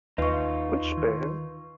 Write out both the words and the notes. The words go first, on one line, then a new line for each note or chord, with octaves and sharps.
Which pen?
D#2 D#4 F4 B4 C#6
D#3